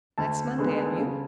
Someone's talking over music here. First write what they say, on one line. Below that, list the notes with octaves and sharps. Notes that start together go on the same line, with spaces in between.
"Next Monday; and you?"
D2 A5
D3 G#3 B3
C#3